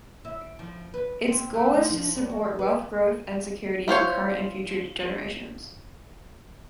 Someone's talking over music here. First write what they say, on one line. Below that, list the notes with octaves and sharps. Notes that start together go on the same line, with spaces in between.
Its goal is to support wealth growth and security for current and future generations.
E4
F3
B4
C4
A3
F4
F3
G3
F#4
B4
E4 F4 C5 C#5